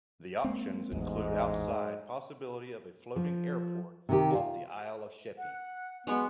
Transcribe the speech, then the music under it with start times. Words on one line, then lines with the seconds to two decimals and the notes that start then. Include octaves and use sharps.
The options include outside possibility of a floating airport off the Isle of Sheppey.
0.44 G#3 A#3 C4
0.92 A1 E2 G#2 G#3
3.16 F3
4.09 C3 D#3 G4
4.35 F4
5.38 F#5
6.07 F#3 G#3 B3 C#5